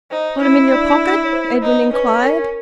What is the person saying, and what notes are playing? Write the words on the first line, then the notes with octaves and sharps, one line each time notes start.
"Got 'em in your pocket?" Edwin inquired.
D#4 C5
E4
D4 D5
C#5
C5
D#4
C#4 B4
A#4